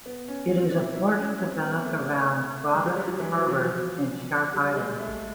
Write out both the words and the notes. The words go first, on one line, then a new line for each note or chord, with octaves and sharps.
It is a port developed around Robert Harbour and Shark Island.
B3
C#4
C4
E4
E4
C#4
C4
B3
A3
G#3
F#3
G3
F#3
E3
F3
F#3
F3
G3
G#3
A3